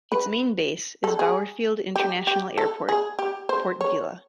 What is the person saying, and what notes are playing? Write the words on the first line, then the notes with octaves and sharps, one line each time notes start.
Its main base is Bauerfield International Airport, Port Vila.
B4
A4
G#4
G4
G4
A4
G#4
G4
C5
C#5